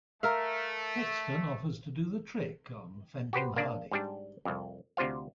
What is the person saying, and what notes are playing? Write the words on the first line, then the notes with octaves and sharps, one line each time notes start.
Hexton offers to do the trick on Fenton Hardy.
A3 A#4 E5 F5
F#4 G4 B4 C5
A#3 D4
G#2 G3 D4
C2 F2
D2 C3 F4 C5 F5